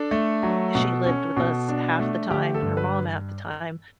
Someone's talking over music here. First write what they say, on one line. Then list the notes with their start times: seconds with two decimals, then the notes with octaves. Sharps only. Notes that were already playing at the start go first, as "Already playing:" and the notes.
sh she lived with us half the time and her mom half the time,
Already playing: D4 A4
0.11 A3
0.43 F#3
0.75 B2
1.06 C#4
1.37 B2
1.68 D4
1.99 A3
2.31 D3 G4
2.54 A4
2.62 G2
2.77 B4